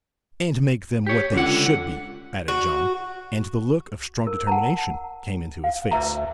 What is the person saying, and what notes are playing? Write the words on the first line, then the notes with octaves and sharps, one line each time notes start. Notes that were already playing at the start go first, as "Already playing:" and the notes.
"And make them what they should be," added John, and the look of strong determination came into his face.
G4 C#5
C#2 D3 C#4 F4 F#5
F#4
A#4
F#5 A5 A#5
F5
D2 B4 E5 A#5